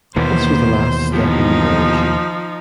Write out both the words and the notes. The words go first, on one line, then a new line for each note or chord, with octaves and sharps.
This was the last step in the merge.
D#2 B2 E3 A#3 B4 C5
F3 B3 D#4 E4 G4